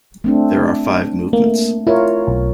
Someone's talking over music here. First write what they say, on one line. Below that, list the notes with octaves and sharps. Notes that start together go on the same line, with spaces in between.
There are five movements.
A3 C4 D4
A3 A#3
E4 F4 A#4 C#5
B1